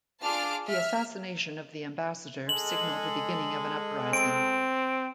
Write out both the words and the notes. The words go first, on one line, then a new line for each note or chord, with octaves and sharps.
The assassination of the ambassador signaled the beginning of an uprising.
D4 F4 G#4 A5 D6 F6
E5 F6
G#3 A4 F#7
C4 D7